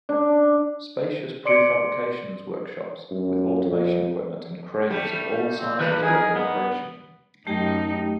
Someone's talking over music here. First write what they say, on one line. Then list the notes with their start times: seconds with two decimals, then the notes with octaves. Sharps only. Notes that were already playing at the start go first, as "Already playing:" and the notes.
Spacious prefabrications workshops with automation equipment and cranes of all sizes were in operation.
0.09 D4
1.45 D5 C6 D6 C#7 D7
3.11 F#2
3.65 F2
4.90 G3 A3 G4
5.59 C4
5.79 D#3 A3 B4
6.02 D#4 G#4 A#4
6.35 B3
7.47 F#2 A3 D#4 G4 G5